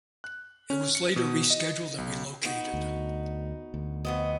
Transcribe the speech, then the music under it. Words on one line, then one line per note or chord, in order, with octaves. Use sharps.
It was later rescheduled and relocated.
F#6
C#4
C#7
B2
D#5
B1
B3 D#4 F#4
D2
D2
F2 B3 D#5